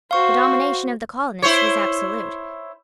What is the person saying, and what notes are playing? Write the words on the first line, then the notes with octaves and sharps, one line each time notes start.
The domination of the colonists was absolute.
F#4 C5 F5 C#6
E4 C5 C#5